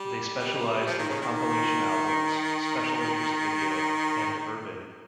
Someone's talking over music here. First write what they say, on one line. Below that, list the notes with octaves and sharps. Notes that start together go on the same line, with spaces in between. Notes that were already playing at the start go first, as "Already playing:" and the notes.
They specialized in compilation albums, special interest video, and urban.
Already playing: G3
G3
F3
D#3
C#3
D#3